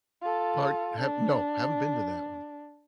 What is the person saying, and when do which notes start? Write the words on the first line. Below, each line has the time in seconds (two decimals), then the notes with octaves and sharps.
Part have No, haven’t been to that one.
0.22 F4 A4
1.00 D4